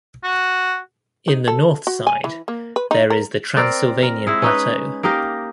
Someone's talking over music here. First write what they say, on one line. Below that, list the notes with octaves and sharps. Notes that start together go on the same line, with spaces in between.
In the North side there is the Transylvanian Plateau.
F#4
D#4
A4
F#4
G#5
E3
A#3
B4
D#4
A#4
C4 A#4 D5
A#4
G#3 E4 E5
C#4 D#4 B4
A#3 D#4 G4 A#4